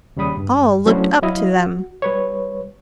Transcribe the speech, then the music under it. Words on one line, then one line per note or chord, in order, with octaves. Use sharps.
All looked up to them.
D#2 C#3 G3 B5 D#6
G2
F#3 A3 C#4 D4 E4 C5
F#3 E4 D#5 F5
F#4
G3 B4 C#5